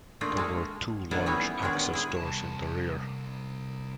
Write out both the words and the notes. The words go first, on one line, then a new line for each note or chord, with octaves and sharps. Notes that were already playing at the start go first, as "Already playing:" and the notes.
There were two large access doors in the rear.
A3 A#3 D4 D#4 F4
G#3 A4 A#4
B3 D4 E4 A4 A#4
E3 G3 B3 C#4 D#4 E4
D#3 G#3 B3 C#4 D4 G#4
E4 G#4
C2 A5